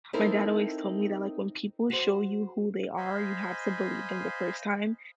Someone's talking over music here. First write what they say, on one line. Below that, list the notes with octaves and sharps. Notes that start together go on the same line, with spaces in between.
my dad always told me that, like, when people show you who they are, you have to believe them the first time,
C4 D#4 E4 A4 A#4
F#4 C5
C5 D#5 F5 G#5 B5